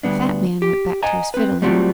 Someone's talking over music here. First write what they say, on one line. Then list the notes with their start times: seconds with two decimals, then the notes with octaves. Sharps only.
The fat man went back to his fiddling.
0.03 D2 G3 B3 D4
0.62 G4
1.03 D#5 F#5 G#5 A#5
1.34 C4 B4
1.62 F#3 G3 A3 C4 F4 F#4